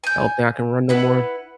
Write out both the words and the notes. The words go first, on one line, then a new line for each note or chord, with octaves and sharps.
I don't think I can run no more.
G#5 G6
E4 B4 F#5